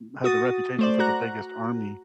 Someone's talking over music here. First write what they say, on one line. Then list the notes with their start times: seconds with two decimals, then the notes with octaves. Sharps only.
had the reputation for the biggest army.
0.24 F#4 D#6 A6
0.79 A3 C5 D5
0.99 F#4 A#5 F#6